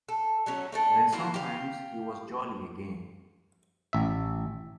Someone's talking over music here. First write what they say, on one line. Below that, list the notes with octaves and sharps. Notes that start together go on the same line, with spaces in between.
Then sometimes he was jolly again.
A4
F#3 A3 C#4 A4
A3 D4 A4
F#3 A#3 E4 F4
G4 F5
A1 E5